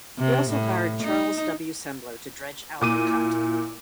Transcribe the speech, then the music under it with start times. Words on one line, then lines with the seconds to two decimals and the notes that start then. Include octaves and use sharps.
He also hired Charles W. Sembler to dredge out the cut.
0.19 C3
0.50 A2
1.02 D#4
2.81 A#2 E4 D6 D#7